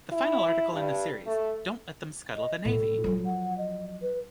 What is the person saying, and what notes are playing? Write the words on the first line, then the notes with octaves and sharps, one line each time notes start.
The final article in the series, Don't Let Them Scuttle the Navy!
E4
G2
A3
D#5
A2 A4
F3 F#3
F#5
D#5
B4